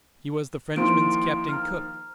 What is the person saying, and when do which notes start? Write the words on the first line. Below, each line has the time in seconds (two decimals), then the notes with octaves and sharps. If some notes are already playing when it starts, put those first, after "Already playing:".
He was the Frenchman's Captain Cook.
0.76 D#3 F3 A#3 E4 C6 D7
1.49 A#5 F6